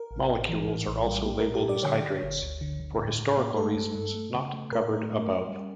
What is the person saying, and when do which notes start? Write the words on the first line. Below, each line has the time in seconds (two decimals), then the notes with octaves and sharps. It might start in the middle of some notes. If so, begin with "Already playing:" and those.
Molecules are also labeled as hydrates for historical reasons not covered above.
Already playing: A#4
0.11 A1
0.29 A2
0.49 E3
0.68 A2
0.87 A#1
1.07 G3
1.26 A#3 G4
1.40 A#4
1.45 A#2
1.55 G4
1.64 A#2
1.69 D5
1.83 D3 C#5
2.03 D3
2.23 G1
2.42 D2
2.61 D3
2.80 D3
2.99 A2
3.18 A2
3.38 A#3
3.56 A3 A4
3.76 G2
3.95 G2
4.14 A3
4.34 C#3
4.53 A3
4.72 A2 A#4
4.91 A3
5.11 A3
5.30 C#4
5.49 G3